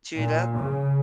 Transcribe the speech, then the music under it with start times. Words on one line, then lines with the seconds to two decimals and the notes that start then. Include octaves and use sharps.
Chewed up.
0.18 A#2
0.58 C#3